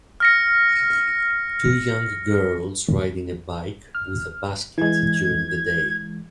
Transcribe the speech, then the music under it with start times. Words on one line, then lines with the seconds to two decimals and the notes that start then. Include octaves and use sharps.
Two young girls riding a bike with a basket during the day.
0.20 F6 A#6 C#7
3.95 F6
4.78 E3 G#3 G#6